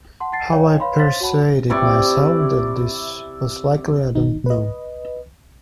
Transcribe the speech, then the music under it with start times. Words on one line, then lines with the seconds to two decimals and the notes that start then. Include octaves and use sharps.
How I persuaded myself that this was likely, I don't know.
0.20 F#5 A5 C6
0.32 F#5 A5 A6 C7
0.50 C5 C#5 D#5 F5 G5 G#5
0.80 B4 C#5 F5 B5 C6
0.99 C5 C#5 F5 C6 A6 B6
1.21 F#4 C#5 F#5 A5 B5
1.70 C3 E4 D5 C#6
4.15 G1 D#3 D#4
4.46 B4 D#5